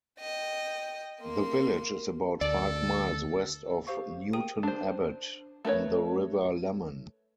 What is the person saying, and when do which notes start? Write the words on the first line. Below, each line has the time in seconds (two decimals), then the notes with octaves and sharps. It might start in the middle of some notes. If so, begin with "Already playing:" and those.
The village is about five miles west of Newton Abbot, on the River Lemon.
0.19 D#5 G5
1.21 A#3 C6
2.41 D2 A4 D5
3.87 G4 C5 F5 C#6
4.33 G#4 A#4 G5 D#6 D#7
4.63 D4 C5
5.65 A3 A#4 B4 C#5